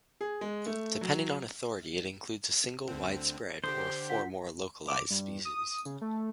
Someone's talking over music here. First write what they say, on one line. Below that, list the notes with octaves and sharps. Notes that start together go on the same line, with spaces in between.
Depending on authority, it includes a single widespread, or four more localized species.
G#4
G#3
A3
F#3
D2 D3 C4
D3 G4 C5 D#6
F4 F#5 B6
D6
G2
D#6
C#3
A3